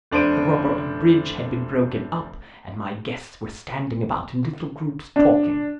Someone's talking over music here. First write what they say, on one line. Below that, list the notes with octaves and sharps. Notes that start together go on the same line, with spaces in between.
The rubber of bridge had been broken up and my guests were standing about in little groups talking.
F1 D4 C5 D7 D#7
D4